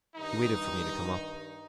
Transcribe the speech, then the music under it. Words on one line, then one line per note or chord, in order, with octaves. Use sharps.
He waited for me to come up.
G2 D#3 G3 D#4